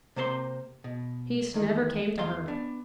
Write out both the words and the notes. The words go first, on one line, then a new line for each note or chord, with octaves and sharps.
Peace never came to her.
C3 A#3 C5 D5 C6
B2
E2 D#3
E2 D#5 F5 C6
B3 D4